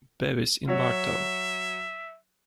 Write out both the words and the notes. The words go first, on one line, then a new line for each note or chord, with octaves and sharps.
Bevis in Bartow.
F#3 F#4 C#5 E5